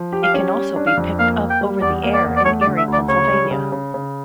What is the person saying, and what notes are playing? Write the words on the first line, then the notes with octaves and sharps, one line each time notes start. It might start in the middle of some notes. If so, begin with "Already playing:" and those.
It can also be picked up over-the-air in Erie, Pennsylvania.
Already playing: F3
G4
F5
C#4
G3
D4
F5
F2
A#3 F5
A#3
G5
G3
E2 D5
A#3
D5
E2
D5
A3 C#5
D5
D3
E5
D2
D5
C#3 C#5
G3
C#3
C#3
C#3